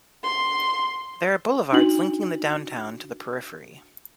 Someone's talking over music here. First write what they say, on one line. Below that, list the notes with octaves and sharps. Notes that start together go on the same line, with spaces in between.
There are boulevards linking the downtown to the periphery.
C6
D4 D#4 F#4 F#7